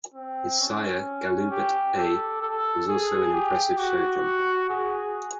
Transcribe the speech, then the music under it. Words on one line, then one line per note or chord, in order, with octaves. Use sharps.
His sire, Galoubet A, was also an impressive show jumper.
C4
C#4
G4
A4
A4
G#4
G4
F#4
G#4